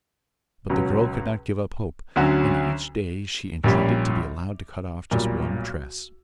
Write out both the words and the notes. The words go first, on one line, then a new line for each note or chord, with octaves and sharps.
But the girl could not give up hope, and each day she entreated to be allowed to cut off just one tress.
C#2 B2 F#3 C#4
D2 D3 F#3 C#4 F#4
A#1 A#2 G3 C#4 G4
B1 A#2 G3